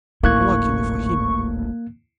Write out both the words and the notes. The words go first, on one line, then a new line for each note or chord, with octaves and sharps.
Luckily for him.
D1 G#1 A2 A#3 E4 C#6 F#6 G#6